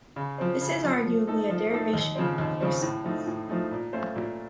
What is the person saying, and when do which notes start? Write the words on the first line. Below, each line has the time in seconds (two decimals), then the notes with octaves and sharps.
This is arguably a derivation from the first sense.
0.16 C#3
0.38 F3 C4
0.61 C#3
0.83 F3 C4
1.06 F3
1.27 A3 D#4 A4
1.50 F3
1.71 A3 D#4 A4
1.94 D#2
2.15 C#3 F3 C4
2.38 D#2
2.60 C#3 F3 C4
2.82 A2
3.04 F3 A3 D#4
3.27 A2
3.49 F3 A3 D#4
3.71 A#2
3.93 A3 C#4 F4 C5
4.15 A#2